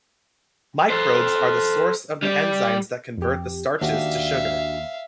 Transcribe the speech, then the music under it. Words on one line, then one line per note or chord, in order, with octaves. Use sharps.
Microbes are the source of the enzymes that convert the starches to sugar.
A4 C5
G3 D5
F2 G4
D#2 D4 F#4 G4 E5 F5